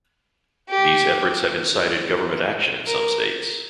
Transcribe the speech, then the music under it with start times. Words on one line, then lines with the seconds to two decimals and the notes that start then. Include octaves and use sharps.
These efforts have incited government action in some states.
0.69 G4
2.87 A#4